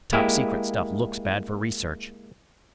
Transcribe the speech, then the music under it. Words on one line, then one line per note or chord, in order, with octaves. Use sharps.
The topsecret stuff looks bad for research.
G#3 A#3 E4 G4